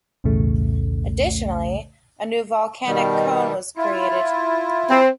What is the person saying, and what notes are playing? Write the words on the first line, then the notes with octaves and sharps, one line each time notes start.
Additionally a new volcanic cone was created.
B1 E2 A2 C#3 A3
B2 D#3 G3
E4 F4
C4